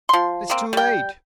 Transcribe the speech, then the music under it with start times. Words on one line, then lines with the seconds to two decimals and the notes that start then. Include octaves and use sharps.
"It's too late!"
0.09 F3 C6
0.50 A#3 C4
0.73 G3 G5